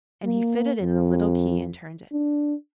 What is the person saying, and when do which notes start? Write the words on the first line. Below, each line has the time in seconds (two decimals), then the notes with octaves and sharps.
And he fitted in the little key and turned it.
0.25 A#3
0.82 F2
2.12 D4